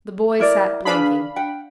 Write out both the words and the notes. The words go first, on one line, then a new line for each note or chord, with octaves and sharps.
The boy sat blinking.
E4 A#4 D5
D4 G#4 B4 F5 G#5 B5
F#5 G5